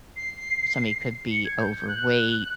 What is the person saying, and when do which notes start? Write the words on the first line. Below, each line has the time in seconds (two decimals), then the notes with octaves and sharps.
Somebody could be overweight.
0.16 C7
1.31 C#7
1.45 G#6
1.60 G6
1.81 G6
1.88 F#6